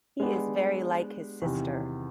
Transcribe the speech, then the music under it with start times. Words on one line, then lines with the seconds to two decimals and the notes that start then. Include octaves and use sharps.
He is very like his sister.
0.20 G#3 B3 D4 G4
1.42 E2 C3 D#3